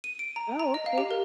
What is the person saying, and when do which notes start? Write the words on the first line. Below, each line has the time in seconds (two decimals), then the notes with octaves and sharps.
Oh, okay.
0.04 D#7
0.19 D7
0.36 A#5
0.60 A#5
0.74 D#5
0.86 F5
0.98 G4
1.11 A#4